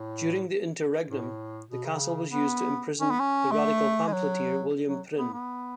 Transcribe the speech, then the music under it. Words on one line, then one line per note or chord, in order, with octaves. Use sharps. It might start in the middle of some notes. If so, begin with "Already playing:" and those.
During the interregnum, the castle was used to imprison the radical pamphleteer William Prynne.
Already playing: A2
A2
B2
C#3
B3
C#4
B3
C#4
A3
G#3
F#3
F#3
B3
B3